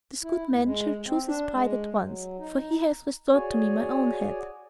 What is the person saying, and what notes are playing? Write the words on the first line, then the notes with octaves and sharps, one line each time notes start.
"This good man shall choose his bride at once, for he has restored to me my own head."
E4
D2
G#3
C4
D4
G#3
F#3
D#4
F#4 G#4 C#5 D5 G#5